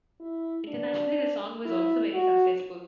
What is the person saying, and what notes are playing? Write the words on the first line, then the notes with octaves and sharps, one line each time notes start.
Internationally, the song was also very successful.
E4
D4
E4
F#4